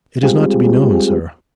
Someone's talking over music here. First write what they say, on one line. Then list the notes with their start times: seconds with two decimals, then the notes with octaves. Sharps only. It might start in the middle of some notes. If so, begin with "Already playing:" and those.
'It is not to be known, sir.
0.23 G3 G#3 C4 F4 G4 G#4